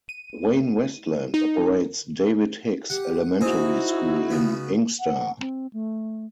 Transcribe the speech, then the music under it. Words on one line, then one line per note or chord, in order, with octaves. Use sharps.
Wayne-Westland operates David Hicks Elementary School in Inkster.
D#7
D#4
G4 F#5
C4 D#4 E4 F#4 G#4
C#3 B3
F#5
C4
A3